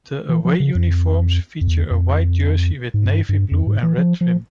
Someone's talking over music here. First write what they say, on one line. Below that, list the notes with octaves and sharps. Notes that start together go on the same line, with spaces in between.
The away uniforms feature a white jersey with navy blue and red trim.
E3
F3
C#3
F2
F2
E2
F2
G#2
G2
G2
F2
G#2
E3
F3
F3